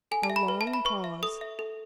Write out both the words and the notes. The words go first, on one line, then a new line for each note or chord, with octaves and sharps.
A long pause.
A4 G#5
A5
E5
B5
B4
A5
E5
B5
B4 C#6
E5
A4 D#6
E5
A4